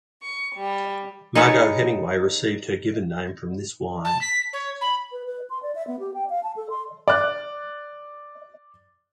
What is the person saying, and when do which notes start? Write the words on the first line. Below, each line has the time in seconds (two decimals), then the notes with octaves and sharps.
Margaux Hemingway received her given name from this wine.
0.21 C#6
0.55 G3
1.35 D#4 G#4 A4 B4 C#5
4.05 A5
4.21 B6
4.53 C#5
4.81 B5
5.12 B4
5.26 B4
5.50 C6
5.63 D5
5.75 E5
5.87 B3
5.99 G4
6.14 G5
6.30 F5
6.43 A5
6.56 A4
6.70 C6
7.08 D5 F#6